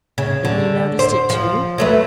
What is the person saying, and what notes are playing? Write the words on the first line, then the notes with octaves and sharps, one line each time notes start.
'Then you noticed it too?'
C#3
D3
C5
F3
F#3 A3 B4